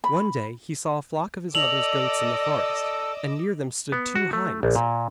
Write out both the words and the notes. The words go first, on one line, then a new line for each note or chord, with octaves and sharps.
One day he saw a flock of his mother's goats in the forest, and near them stood two hinds.
B5
A4 D5 D#5 D6 E6 F7 F#7
B3
F#4
A3
A#1
A#2